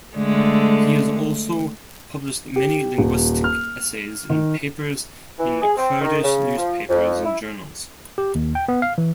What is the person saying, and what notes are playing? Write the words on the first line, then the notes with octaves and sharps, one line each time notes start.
He has also published many linguistic essays and papers in Kurdish newspapers and journals.
D3 G#3 A3
G4
D#1
F6
D#3
E3
G#4
C4
D#3
C#3
F3
F2
E4
G4
D#2
G5
B3
F5
E3